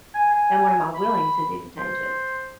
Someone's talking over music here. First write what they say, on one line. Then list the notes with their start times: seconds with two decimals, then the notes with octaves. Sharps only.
and what am I willing to do to change it?
0.15 G#5
0.31 G#5
0.95 B5
1.78 C5